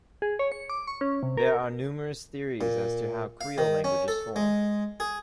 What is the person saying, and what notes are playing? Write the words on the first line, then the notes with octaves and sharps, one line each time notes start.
There are numerous theories as to how creole languages form.
G#4
C#5
C#7
D6
C#6
C#4
C3
A#4
A#2
F5
D#3
C#4
A4
G#3
G#4